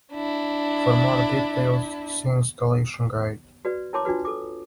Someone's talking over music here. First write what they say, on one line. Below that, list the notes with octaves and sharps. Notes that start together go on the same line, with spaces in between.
For more details, see the Installation Guide.
D4 E4
F#4 B4 D5
E4 A#4 C#5 A5 C6 D6
D4 F4 F#4 B4
A4 D6